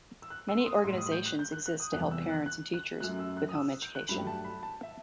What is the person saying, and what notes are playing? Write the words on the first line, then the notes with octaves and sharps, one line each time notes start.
Many organisations exist to help parents and teachers with home education.
E6
F#6
E6
C6
D#6
A2 G3 C6
D#6
G6
F#6
G6
F#6
F#6
D#6
E2 C3 E3 G3 F#6
E6
F#6
F#6
F#6
F#2 F#3 A3 F#6
E6
F#6
D#6
E6
G6
F#6
G2 F#3 A3 B5
G5
A5
B5
A5
E5